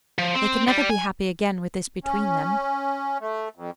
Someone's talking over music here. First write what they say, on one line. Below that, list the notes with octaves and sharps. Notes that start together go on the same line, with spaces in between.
They could never be happy again with this between them.
F3
C4
G3
G#5
C#4
A3
F2